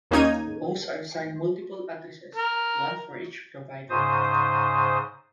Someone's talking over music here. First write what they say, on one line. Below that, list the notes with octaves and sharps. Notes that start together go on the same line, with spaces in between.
Hosts are assigned multiple addresses, one for each provider.
D#2 A#3 C#4 D#4 G#6 D#7
A#4
G#2 C#3 C5 D#6